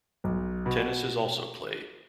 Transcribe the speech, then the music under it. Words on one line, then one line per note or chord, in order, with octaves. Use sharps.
Tennis is also played.
B1
B2